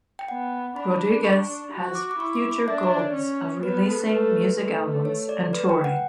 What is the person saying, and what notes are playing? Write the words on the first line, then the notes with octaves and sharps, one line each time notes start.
Rodriguez has future goals of releasing music albums and touring.
G5
B3 F#5
D4 B5
C#6
F#4
D6
D6
E4 C#6
D6
D6
D4 E5
D5
C#5
C#4
B3 B4
A4
A3 B4
A3
C#5
D5
B4
G5
F#5